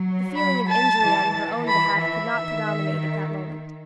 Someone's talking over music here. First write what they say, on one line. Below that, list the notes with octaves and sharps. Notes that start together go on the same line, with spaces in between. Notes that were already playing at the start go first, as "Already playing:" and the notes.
The feeling of injury on her own behalf could not predominate at that moment.
Already playing: F#3
B5
A5
E3
E3
B5
E5
D#3